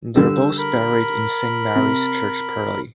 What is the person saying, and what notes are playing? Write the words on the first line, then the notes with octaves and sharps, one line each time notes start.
They are both buried in Saint Mary's Church Purley.
D3 G3 E6
A#4 B5
C3